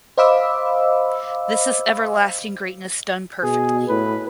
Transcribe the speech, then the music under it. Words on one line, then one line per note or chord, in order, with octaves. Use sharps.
This is everlasting greatness done perfectly.
C5 D#5 F5 B5 D6 E6
B2 G#4
A2 B4